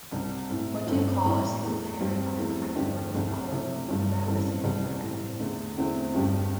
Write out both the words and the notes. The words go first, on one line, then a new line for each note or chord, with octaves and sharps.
What do you call a single parent on a climbing rope, although without a safety partner?
C2 C3 G3 D4
A2 A3 C4 E4
G1 G2 D3 C4 A4
A2 G3 E4 G4
E2 E3 A3
G2 G3 C4 G4
E2 E3 A3 C4
G2 D3 A3 D4 G4
C2 C3 A3 D4
C3 A3 E4
G1 G2 G3
A1 G2 E3 C4 A4
C2 C3 E3 G3
A2 E3 A3 C4
E2 D3 A3
E2 D3 A3 C4 E4
G1 G2 G3 D4 G4